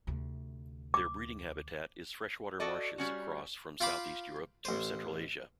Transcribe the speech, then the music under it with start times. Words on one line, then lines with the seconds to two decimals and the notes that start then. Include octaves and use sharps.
Their breeding habitat is freshwater marshes across from southeast Europe to central Asia.
0.07 D2 C3
0.94 D6
2.60 F#4 A4 D5 D#5
2.98 G3 C#4 F#4
3.80 F4 F5 G5 B5 D6
4.65 A1 C5